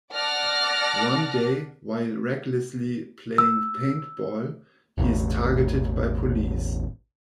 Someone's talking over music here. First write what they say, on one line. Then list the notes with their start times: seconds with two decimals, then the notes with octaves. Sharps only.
One day, while recklessly playing paintball, he is targeted by police.
0.13 D5 F#5 A5 D6 F6 A#6
3.38 E6
4.98 E1 A1